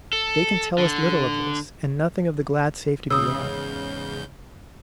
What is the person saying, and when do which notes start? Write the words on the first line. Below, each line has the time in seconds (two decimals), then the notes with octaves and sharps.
They can tell us little of this, and nothing of the glad safety beyond.
0.13 A4
0.78 D3
3.10 E2 G#2 C#3 D#6 E6 G6